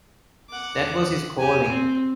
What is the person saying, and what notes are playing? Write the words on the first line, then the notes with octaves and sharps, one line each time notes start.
That was his calling.
F#5 D6
G4 G#5
C4